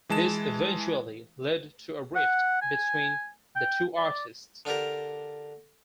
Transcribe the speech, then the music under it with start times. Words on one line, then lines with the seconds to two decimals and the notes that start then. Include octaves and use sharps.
This eventually led to a rift between the two artists.
0.09 E3 G#3 A5 E7
2.16 F#5
2.62 G#5
3.56 G5
3.96 D5
4.65 D3 D4 F4 G4 A#4